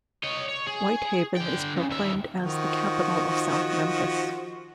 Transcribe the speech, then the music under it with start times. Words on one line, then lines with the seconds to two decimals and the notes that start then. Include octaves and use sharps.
Whitehaven is proclaimed as the capital of South Memphis.
0.24 C#5 D#5
0.49 C#5
0.67 G#4
1.37 D3 G5
1.77 C#3
1.91 D#2 E5
2.40 D#3 F3 F#4